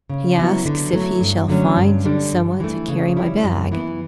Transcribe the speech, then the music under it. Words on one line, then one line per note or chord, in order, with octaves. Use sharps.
He asks if he shall find some one to carry my bag.
C#3
F#3 B3 E4
D3
F#3 A3 E4
G2
D3 F#3 A3 C#4
G2
D3 G3 D4
G2
E3 A3
C#3
G3 C#4 E4
F#2
E3 B3 E4